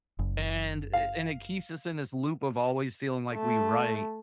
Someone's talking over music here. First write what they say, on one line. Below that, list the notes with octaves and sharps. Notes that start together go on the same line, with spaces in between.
And and it keeps us in this loop of always feeling like we right
F#1
F5
A3